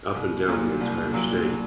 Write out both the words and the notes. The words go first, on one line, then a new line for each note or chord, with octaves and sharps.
up and down the entire state.
C2
A#2 F#3
C2
A#2 F#3